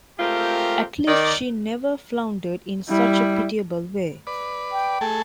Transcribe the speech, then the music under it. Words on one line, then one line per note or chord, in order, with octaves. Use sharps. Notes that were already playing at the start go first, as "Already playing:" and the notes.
At least she never floundered in such a pitiable way.
G#3 A3 C4 F4 G4 A#4
D#3 D5
G3 E4
B4 D5
G5
A3 G#4 A4